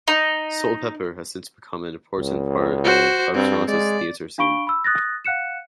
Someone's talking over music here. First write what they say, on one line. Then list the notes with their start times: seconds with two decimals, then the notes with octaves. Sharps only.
Soulpepper has since become an important part of Toronto's theatre scene.
0.08 D#4
2.18 C#2
2.84 F#4 C5
3.34 G2 C4
3.68 G#3 D5
4.38 D4 F5 B5 C#6 D7 G7
4.67 B5 E6
4.84 D#6 F#6 A6 A#6
5.25 F5 F#5 F#6 C#7 E7